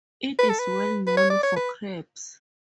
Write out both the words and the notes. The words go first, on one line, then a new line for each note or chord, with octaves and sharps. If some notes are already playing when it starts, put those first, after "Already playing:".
It is well known for crabs.
B4
A4
B4
B4
C#5
D5
C#5
B4